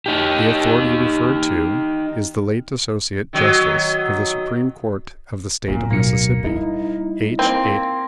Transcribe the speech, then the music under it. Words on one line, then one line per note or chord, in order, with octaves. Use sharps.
The authority referred to is the late Associate Justice of the Supreme Court of the State of Mississippi, H.H.
D#4 G4
D#3 F#3 D#4
D1 F#2 A#2
B1 B2 A#3 C#7
G3 D#4 E4
A#3 C4